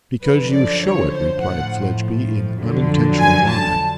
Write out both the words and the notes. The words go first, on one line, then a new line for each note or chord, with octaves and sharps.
'Because you show it,' replied Fledgeby in unintentional rhyme.
F#2 D3 F3 B4
D5
C#5
C5
A2 F3 F#5
F2 D3 F#3
G#5
A5